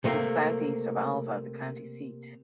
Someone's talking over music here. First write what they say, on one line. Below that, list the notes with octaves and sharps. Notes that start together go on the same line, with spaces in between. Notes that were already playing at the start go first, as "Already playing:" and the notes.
It is southeast of Alva, the county seat.
C3 A3 A#3